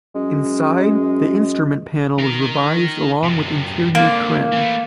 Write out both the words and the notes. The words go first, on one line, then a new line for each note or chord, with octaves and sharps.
Inside, the instrument panel was revised along with interior trim.
F#2 G#3
D#4 A#4
F#2 C3
C2 D3 A#3
E3 A3